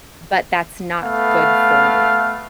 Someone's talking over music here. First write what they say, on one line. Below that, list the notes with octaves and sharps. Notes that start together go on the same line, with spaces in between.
but that's not good for me.
A3 B3 F5